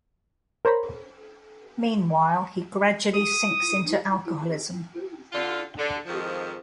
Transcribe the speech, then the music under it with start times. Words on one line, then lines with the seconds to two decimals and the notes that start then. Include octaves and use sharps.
Meanwhile, he gradually sinks into alcoholism.
0.65 A#4 C5 C#5 A#5 B5
3.14 D#6
5.33 D3 F4
5.77 D3
6.06 F2 G#2 D#3 F3